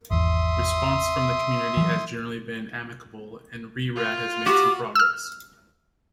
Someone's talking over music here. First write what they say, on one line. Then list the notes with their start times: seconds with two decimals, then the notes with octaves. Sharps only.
Response from the community has generally been amicable and Re-Rad has made some progress.
0.11 G#1 E2 E5 C6 D#6
1.77 E3 F#3
3.95 F4
4.46 F#4 G4 D6
4.95 E6 F6